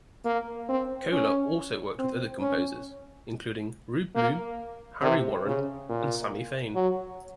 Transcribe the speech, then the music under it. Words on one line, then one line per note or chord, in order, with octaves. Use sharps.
Koehler also worked with other composers, including Rube Bloom, Harry Warren and Sammy Fain.
A#3
C4
C#4
C4
C#4
A#3
C3
C#3
A#2
F#3